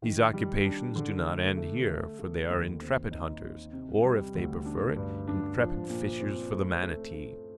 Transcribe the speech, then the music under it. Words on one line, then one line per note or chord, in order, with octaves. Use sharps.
These occupations do not end here, for they are intrepid hunters, or, if they prefer it, intrepid fishers for the manatee.
D#3
G3
D4
D3
A3
A3
A3
A3
D#2
C4
D#4
D#4
C3
G3
D2
D4
G2
D4
F3
A#2
C4
A3
A3
A3